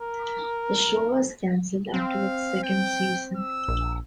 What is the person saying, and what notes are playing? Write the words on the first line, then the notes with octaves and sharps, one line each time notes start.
The show was cancelled after its second season.
A#4
C4 F5
G5
E6
A#1